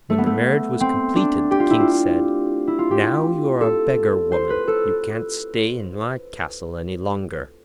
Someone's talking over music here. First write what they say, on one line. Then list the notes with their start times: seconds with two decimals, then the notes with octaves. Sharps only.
When the marriage was completed, the King said: 'Now you are a beggar-woman, you can't stay in my castle any longer.
0.10 A3
0.18 B3
0.26 A3
0.81 C4
1.15 D4
1.51 G4
1.60 F4
1.70 E4
1.80 F4
2.67 E4
2.79 F4
2.91 G4
3.61 A4
4.32 C5
4.50 B4
4.68 A4